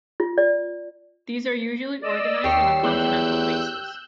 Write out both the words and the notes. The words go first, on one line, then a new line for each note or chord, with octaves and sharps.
These are usually organised on a continental basis.
F4
D5
D5 D#5 E6
D#2 G4 C#5 E6 C7
E2 E6 F#6 G6